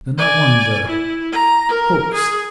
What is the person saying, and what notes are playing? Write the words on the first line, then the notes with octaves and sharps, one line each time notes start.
Then I wonder--hooks?
D5 G#5
E4
A#5
A#4
G#4